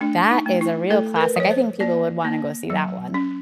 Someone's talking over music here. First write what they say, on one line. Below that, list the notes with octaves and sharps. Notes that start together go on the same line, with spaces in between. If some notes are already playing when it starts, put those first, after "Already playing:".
That is a real classic. I think people would wanna go see that one.
A3 D4
D#4
A3
E4
A3 A4
A#4
B4
F3 C#5
C5
A#3 D5
A#3
F#3
C#4